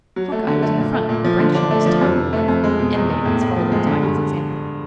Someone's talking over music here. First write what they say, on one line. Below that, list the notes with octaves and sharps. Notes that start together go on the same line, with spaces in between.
Hawkeye was in front, brandishing his terrible rifle and animating his followers by his example.
F#3
A3
D3
A3
A#2
A3
A#2
F3
D3
D4
A3
F3
F2
C3
A3
F2
G#3
B2
E2
E2
A2
A2
F3
G#3
D3
G2
D3